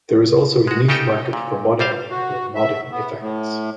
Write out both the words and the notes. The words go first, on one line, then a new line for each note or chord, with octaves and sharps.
There is also a niche market for modifying or "modding" effects.
G#3 F#4
C#3 D#4 G4 A4 G5
A#2
C2 G3 C5 F5
F#4
E5
B3
A2